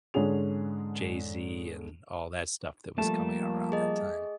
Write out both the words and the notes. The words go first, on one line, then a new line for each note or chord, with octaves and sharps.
Jay-Z and all that stuff that was coming out around that time.
G#2 D3 C#4 G#4 F7
F3 G3 A3 A#3 A5
G#4 D#5